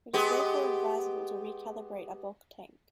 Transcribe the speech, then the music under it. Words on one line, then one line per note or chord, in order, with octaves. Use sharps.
It is therefore advisable to re-calibrate a bulk tank.
G#3 B3 G4